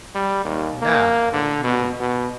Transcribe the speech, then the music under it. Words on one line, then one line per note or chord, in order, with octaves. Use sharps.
Now you know.'
G3
D#2
A#3
D3
B2
B2